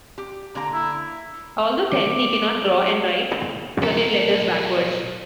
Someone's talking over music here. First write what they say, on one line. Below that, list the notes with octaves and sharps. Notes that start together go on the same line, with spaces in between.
Although ten, he cannot draw and writes certain letters backwards.
G4
D3 A#3 A#5
E4
D6
B1 A4 A#4